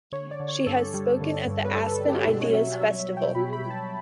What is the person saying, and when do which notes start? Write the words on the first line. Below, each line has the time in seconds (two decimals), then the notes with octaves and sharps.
She has spoken at the Aspen Ideas Festival.
0.12 D3 C#5
0.31 D5
0.40 D3
0.48 C#5
0.67 G2 A4
0.94 G3
1.21 D3
1.47 G2
1.65 B4
1.74 G2 A4
1.92 A4
2.00 G3
2.09 G4
2.22 B4
2.27 B2 A4
2.41 C#5
2.54 F#3 E5
2.81 F#3 E5
3.00 E5
3.08 F#3
3.17 G5
3.35 B2 B5
3.53 B5
3.61 B2
3.70 A5